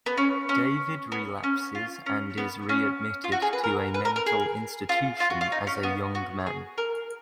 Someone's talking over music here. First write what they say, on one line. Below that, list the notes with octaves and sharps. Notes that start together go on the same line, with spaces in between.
David relapses and is readmitted to a mental institution as a young man.
B3
C#4
C#4
B3
C#4
F4
C#4
B3
C#4
F4
F#4
G#4
B4
A#4
B4
A#4
A#4
G#4
F4
F4
F#4
F4
D#4
C#4
B3
F#4
G#4
A#4